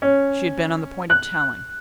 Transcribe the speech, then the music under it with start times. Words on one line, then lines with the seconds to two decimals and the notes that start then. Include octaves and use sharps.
She had been on the point of telling.
0.02 C#4
1.10 F#6